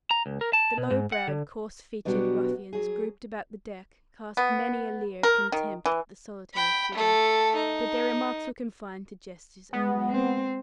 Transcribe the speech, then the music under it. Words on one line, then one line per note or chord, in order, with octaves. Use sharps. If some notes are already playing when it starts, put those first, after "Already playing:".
The low-browed, coarse-featured ruffians grouped about the deck cast many a leer of contempt at the solitary figure, but their remarks were confined to gestures only.
A#5
C#2
A#4
A5
B2
G#2
F#5
D3
B2 F#3 G3 B3 D4 F#4
F#3 G#4
B3
A#4
D#3
E3
G5 B5
A3 A4
D#4
G#3 B3
C4